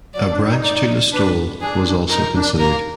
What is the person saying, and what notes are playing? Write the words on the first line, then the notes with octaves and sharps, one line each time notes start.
A branch to Listowel was also considered.
F#3 D5
D4
D#4
D5
D4 B4
D4 G#4
D#4 A#4
D4
A#3 A#4